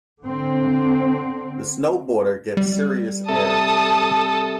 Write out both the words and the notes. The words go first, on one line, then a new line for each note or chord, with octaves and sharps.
The snowboarder gets serious air.
D3 C4
G3
C3 A4 A5 D#6